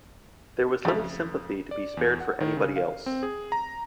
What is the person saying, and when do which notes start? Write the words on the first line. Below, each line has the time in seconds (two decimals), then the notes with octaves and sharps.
There was little sympathy to be spared for anybody else.
0.85 F2 C#3 F#3 A3
1.71 D5
1.97 E2
2.21 F#5
2.40 D#3
2.57 C#3
2.76 F5
3.06 C4
3.23 G#4
3.52 A#5